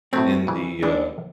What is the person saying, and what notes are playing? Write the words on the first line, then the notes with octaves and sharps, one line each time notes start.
in the, uh,
A2 F#3 A3 C4 C#4
F2 C#3 E3 G3
E3 G#3 B3 D4